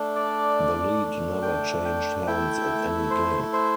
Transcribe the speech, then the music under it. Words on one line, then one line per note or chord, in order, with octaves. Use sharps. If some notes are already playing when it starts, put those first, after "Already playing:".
The lead never changed hands in any game.
Already playing: A3 D4
D5
G5
G5
A3 E4 G5
C5
C5